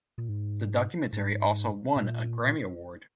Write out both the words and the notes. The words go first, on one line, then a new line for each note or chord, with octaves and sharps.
The documentary also won a Grammy Award.
A#2
G#2
G#2
A#2